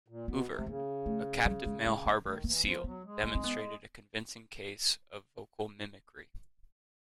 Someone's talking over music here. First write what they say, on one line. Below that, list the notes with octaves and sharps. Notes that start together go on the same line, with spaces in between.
"Hoover", a captive male harbor seal demonstrated a convincing case of vocal mimicry.
A#2
B2 B3
C3
A3
C#3 A#3
A3
G3
G#3
G#3
A#3
D#3 A3
E3 A#3
F3 B3
F#3 B3
G#3
C4
C4
B3